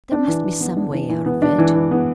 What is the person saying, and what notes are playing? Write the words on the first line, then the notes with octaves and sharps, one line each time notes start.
There must be some way out of it.
D4
E3
E3
B3
D4
E3
E3
B3
D4
E3
E3
B3